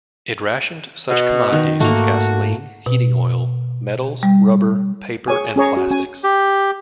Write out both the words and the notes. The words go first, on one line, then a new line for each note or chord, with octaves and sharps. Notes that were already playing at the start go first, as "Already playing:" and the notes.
It rationed such commodities as gasoline, heating oil, metals, rubber, paper and plastics.
B2
D#3
G#2 A3 A#3 F#4
B2
G3
G#4 C#5 G#5
C#4 G#4 C#5 A#5
F#4
C#4 G#5
G4